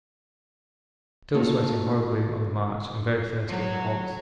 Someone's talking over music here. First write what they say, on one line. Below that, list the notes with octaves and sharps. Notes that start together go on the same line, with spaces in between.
Still sweating horribly on the march and very thirsty at the halts.
A3 A#3 D#4 F4 F#4 A4
F#3